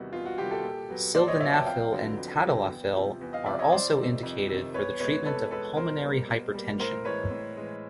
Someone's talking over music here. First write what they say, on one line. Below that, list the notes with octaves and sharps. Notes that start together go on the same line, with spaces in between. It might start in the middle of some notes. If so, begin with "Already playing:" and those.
Sildenafil and tadalafil are also indicated for the treatment of pulmonary hypertension.
Already playing: E2 C3 D#3 G3 F#4
E2 F4
F#4
C3 D#3 G3 F4 G4
G4 A4
A#2
F#3 B3
A#2 C5 D5
C#5 D#5
F#3 B3 D5 E5
G5 A5
F2 F5 G5
D3 F#3 B3
F2
D3 F#3 B3
E2
C3 F3
E2
D#5 F5
C3 F3 D5 E5
C#5 D#5
F2 C5 D5
C3 D#3
F2
C3 D#3
E2 B4 C#5
B2 G#3 B4 C#5
E2 A4 B4
B2 G#3 A4 B4
B2 A#4 C5
G3 A#3
B2
G3 A#3
A2 A#4 C5
E3 G#3 B4 C#5
A2
E3 G#3